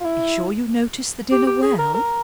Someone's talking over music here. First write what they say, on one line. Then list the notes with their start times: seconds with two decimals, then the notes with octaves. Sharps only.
Be sure you notice the dinner well.
0.01 F4
0.04 E4
1.31 G4
1.47 G4
1.62 G#4
1.78 A#4
1.94 A#4